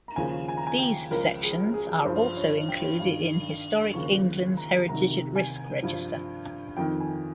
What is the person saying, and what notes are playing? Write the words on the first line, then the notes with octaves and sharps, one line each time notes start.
These sections are also included in Historic England's Heritage at Risk Register.
A#5
D#2 C#3 F3 G#5
G#5
A#5
G#5
G5
C#2 C#3 F3 A#4
G#4
G#4
G2 F3 C5
C#5
G5
G2 D#3 F5
D#2 C#3 F3 C#6
A#5
C2 C3 D#3 A#5
G#5
G2 F3
F2 D#3 G5
G#5